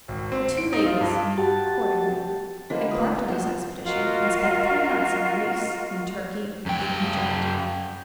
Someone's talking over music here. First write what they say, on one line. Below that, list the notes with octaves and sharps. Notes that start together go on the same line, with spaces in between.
The two ladies accordingly embarked on this expedition, and spent three months in Greece, in Turkey, in Egypt.
G#1
C4
D7
D#4
F4
G2
F#4 G4 A5
D3 A#3 F4 B4 C5 D#5
A#3 G4 B4 D#6
A#2 B3
F3 F#3 A#3 F4 F#5
F4 F#4 A#4 D#5
F#2 G5